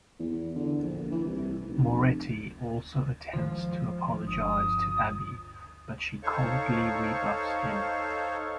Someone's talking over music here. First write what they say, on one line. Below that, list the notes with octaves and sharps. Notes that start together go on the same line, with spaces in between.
Moretti also attempts to apologize to Abby, but she coldly rebuffs him.
E2
D3
A#1
E3
C2
F1
D#3 F3 G#3
G1 D4 D#6
D#4 A4 C5 C#5 F5 C#6